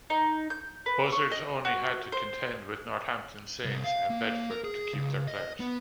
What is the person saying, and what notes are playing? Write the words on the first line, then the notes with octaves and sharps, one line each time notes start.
Buzzards only had to contend with Northampton Saints and Bedford to keep their players.
D#4
G6
B4
C#6
D#5
F#4
C5
C2
F5
A#3
A#4
G#4
C#2
D#5
B3